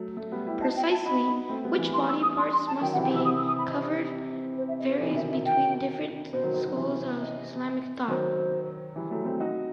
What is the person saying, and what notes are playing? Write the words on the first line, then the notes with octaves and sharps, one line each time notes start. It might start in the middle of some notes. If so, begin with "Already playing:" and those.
Precisely which body parts must be covered varies between different schools of Islamic thought.
Already playing: F#3 A3
F#3 A3
G3 B3
E4 G4
D#4 F#4 A5
G5
A5
D#4 F#4 B5
B3 D#4
A3 C4
G3 B3
E3 G3
C6
E6
D#6
C6
C6
A5
D#3 F#3 G5
F#5
C3 E3
G5
C3 E3 E6
C3 E3 D#6
E6
D#6
B5
D#5
C5
E5
D#5
C5
C3 E3 D#5
B2 D#3
E5
E5
B2 D#3
G5
B2 C5
D#3 F#3
D#3 F#3
D#3 F#3
C3 E3
D#5
D#3 F#3 C5
E3 G3
F#3 A3
A3 C4
D#4 F#4